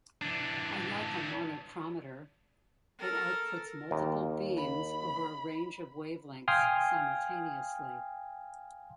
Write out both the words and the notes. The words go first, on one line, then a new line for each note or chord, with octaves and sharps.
Unlike a monochromator, it outputs multiple beams over a range of wavelengths simultaneously.
E3 D4
A4 A#4
D#2
B5
F5 G5 G#5 C6 D#6 F6